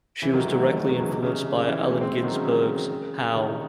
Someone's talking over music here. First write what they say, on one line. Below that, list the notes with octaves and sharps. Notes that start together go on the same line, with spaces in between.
She was directly influenced by Allen Ginsberg's "Howl".
C#3 E3
D#3 F#3
E3 G#3
F#3 A3
D#3 F#3
D#3 F#3
D#3 F#3
C#3 E3
C3 D#3
C#3
C3
C#3
C#3
C#3 E3
C4 D#4
A3 C#4
G#3 C4
E3 G#3
D#3 F#3
C#3
C#3
C3 D#3